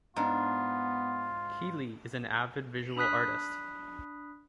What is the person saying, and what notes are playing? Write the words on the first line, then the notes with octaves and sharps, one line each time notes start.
Keely is an avid visual artist.
G#2 B3 D4 F4
D4 B5 D#6 F#6 B6